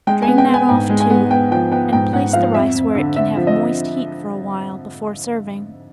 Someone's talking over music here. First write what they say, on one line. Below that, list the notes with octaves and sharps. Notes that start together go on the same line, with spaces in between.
Drain that off, too, and place the rice where it can have moist heat for a while before serving.
G#3 G5
G#5
B3
G5
B3
G#5
G#2 G5
G#3
G#5
B3
B3 G5
F3 G5
B3 G5
G#2 G5
G#2 F#5
F3 F5
F2 E5
F2
D3
D3 E5
F3
D#5